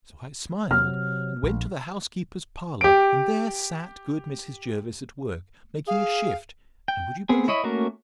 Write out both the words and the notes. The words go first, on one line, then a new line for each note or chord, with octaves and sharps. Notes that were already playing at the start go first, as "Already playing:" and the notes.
So I smiled, and went to the housekeeper's parlour; and there sat good Mrs. Jervis at work, making a shift: and, would you believe it?
C3 F#3 F6
A#1
G4 D7
G#4 F5
G5
B3 C4 G#4
E4 C#5 D#5 B5
A3 A#3 C#4 F#4 A#4